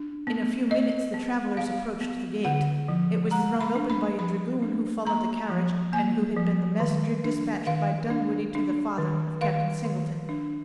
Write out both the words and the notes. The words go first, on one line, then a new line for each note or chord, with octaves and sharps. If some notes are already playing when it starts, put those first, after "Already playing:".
In a few minutes the travelers approached the gate. It was thrown open by a dragoon who followed the carriage, and who had been the messenger dispatched by Dunwoodie to the father of Captain Singleton.
Already playing: D4
B3
B3 D#5
B3
B3 F5
B3
D3 F#5
F3
G#3 A#5
B5
D4
B5
F3 B5
D4
A#3 A#5
F3
A#3 G#5
F3
D#3
D4
D#3 F5
D4
D4
D#3
D#3 F5
D#3
D4